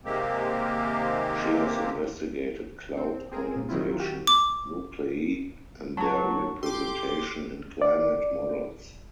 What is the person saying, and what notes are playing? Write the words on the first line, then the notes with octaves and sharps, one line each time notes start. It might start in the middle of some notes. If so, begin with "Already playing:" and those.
She has investigated cloud condensation nuclei and their representation in climate models.
C3 D#3 G#3 A#3 C4 G4
C4
C4 G#4 A#4
A#2
D#3 F#3 C4 E4 F4
F#4 G4 F#5
D6
F#3 A5 C#6
G4 A4 C6 D6
D5